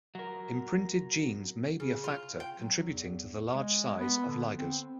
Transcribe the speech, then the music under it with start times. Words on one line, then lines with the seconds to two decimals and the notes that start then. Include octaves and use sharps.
Imprinted genes may be a factor contributing to the large size of ligers.
0.15 F#3 A#4
1.80 C#3
2.04 F4
2.40 G5
2.59 F#3
2.91 E2
3.54 G#3
3.99 B3
4.27 D3
4.58 C4